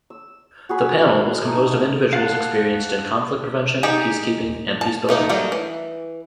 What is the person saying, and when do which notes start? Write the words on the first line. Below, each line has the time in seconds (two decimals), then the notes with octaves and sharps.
The panel was composed of individuals experienced in conflict prevention, peacekeeping and peacebuilding.
0.10 E6
0.69 F#4 G#4 B5
1.44 A3 D#4
2.13 F5 F#5 A5 F#6
3.83 D#4 G4 G#4
4.81 A5
5.09 A3 A#3 D#4
5.29 F#3 G3 A3 A#3
5.52 E3